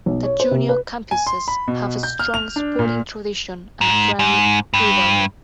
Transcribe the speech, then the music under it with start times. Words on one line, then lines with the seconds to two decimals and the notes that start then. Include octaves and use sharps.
The junior Campuses have a strong sporting tradition and a friendly rivalry.
0.06 B1
0.23 C#5
0.40 C5
0.51 C3
0.69 B4
1.11 G#5
1.27 C6
1.48 B5
1.68 B2
2.03 G6
2.19 F6
2.34 F7
2.56 D4
2.79 A#2
3.81 G#2
4.19 G#2
4.73 G2